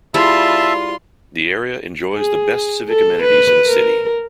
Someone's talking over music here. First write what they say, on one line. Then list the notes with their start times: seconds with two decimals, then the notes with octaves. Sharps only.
The area enjoys the best civic amenities in the city.
0.14 G3 E4 F4 G#4 E5 A5 C6
2.14 G#4
2.90 A4
3.23 B4
3.67 A#4